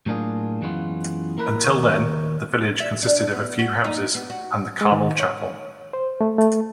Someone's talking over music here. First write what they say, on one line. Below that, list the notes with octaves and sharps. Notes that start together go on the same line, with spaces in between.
Until then, the village consisted of a few houses and the Carmel chapel.
A2 F#3 A#3 D4 F4 G#4
F#2 E3 F#3 G#3 B3 F4
A#3 E4 A#4 B4
D#2 A#4 C#5
E5
D4
B3
F#4
D#4
B3
F#4
G#3
D#3
C#5
C5
A3
A3